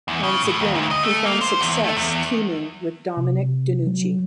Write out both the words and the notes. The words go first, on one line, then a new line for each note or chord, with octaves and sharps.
Once again, he found success teaming with Dominic DeNucci.
E2
C#3
A2
D#2
D2
D#5
A3
A#3
C5
E2
A3
E2
C3
F#3